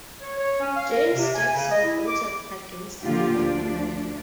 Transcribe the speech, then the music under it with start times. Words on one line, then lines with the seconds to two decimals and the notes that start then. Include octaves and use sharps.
James Jackson voted against it.
0.21 C#5
0.37 C#5
0.60 C#4
0.76 F5
0.91 A#4
1.14 C3
1.34 G#5
1.53 C#3
1.70 D#5
1.83 E4
2.07 D6
3.02 D3 F3 A#3 D4 F4 G4
3.35 D2 F3 D4